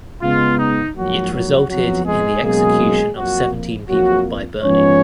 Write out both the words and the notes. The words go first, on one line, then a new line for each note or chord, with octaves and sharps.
It resulted in the execution of seventeen people by burning.
C#3 G#3 B3 F4
D#4
G#2 F3 F#3 A#3 F#4
F#3 F#4
F2 F3 F#3 B3 F#4
G#3 G#4
B2 F#3 G#3 A#3 C#4 G#4
F2 F3 F#3 A#3 F#4
F2 F3 F#3 A#3 F#4
G#2 F3 G#3 B3 C#4 C#5